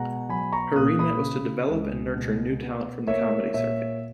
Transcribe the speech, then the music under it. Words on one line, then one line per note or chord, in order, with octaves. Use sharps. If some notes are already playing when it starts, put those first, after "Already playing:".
Her remit was to develop and nurture new talent from the comedy circuit.
Already playing: B2 G#3 F#5 A#5
F#3 G#5 B5
A#5 C#6
A#2 D#6 F#6
B5 D#6
C#3
C#2
B2
B3
A#3 C#5 E5
A#2 C#5 E5